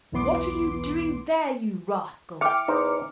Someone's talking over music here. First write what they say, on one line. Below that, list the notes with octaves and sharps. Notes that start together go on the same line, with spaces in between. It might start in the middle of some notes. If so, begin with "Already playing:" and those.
"What are you doing there, you rascal?"
B1 E2 E3 B3 C6 D6
E3 G5 D6 F6 C#7
E2 D#4 C5